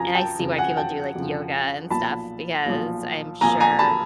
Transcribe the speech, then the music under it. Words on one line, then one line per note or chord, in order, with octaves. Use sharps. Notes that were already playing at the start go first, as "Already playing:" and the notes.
And I see why people do, like, yoga and stuff because I'm sure
Already playing: F2 C#3 F3 G#5 A#5
G5 A5
F2 C#3 F3
F#5 G#5
G5 A5
F2 C#3 F3
B1 A#2 F3 A5 B5
B1 A#2 F3
B1 A#2 F3 G#5 A#5
G#5 A#5
A5 B5